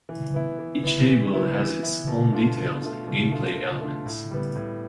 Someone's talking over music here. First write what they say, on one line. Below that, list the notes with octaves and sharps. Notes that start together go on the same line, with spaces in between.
Each table has its own details and gameplay elements.
E3
B3 E4
E3
B3 E4
E3
B3 E4
E3
B3 E4
B2
A3 D4 F4
B2
A3 D4 F4
B2
A3 D4 F4
B2
A3 D4 F4
A2
G3 B3
A2